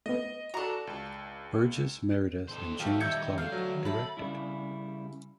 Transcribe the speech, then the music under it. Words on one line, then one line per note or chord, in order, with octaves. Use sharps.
Burgess Meredith and James Clark directed.
A3 B3 D#5
D4 F#4 A4 A#5
C#2
A4 C5
F#3 A3 F4 G4 A4
D#3 G3 E5 A#5 G6 G#6 C#7
D3 A3 F5
F#3
A3 A5 B5
C#3 G3 E4